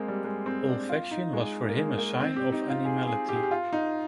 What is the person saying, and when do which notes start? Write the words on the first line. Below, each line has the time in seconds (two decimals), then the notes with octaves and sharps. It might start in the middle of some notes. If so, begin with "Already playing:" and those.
Olfaction was for him a sign of animality.
Already playing: G#3 A#3 C4
0.08 G3
0.24 G#3
0.46 C4
0.68 D4
0.89 F4
1.11 D#4
1.33 G#3
1.69 A#3
1.77 G#3
1.98 A#3
2.20 C4
2.37 G4
2.52 D#4
2.70 F4
2.85 G#4
3.07 G#4
3.29 G4
3.36 G#4
3.43 G4
3.51 F4
3.73 D#4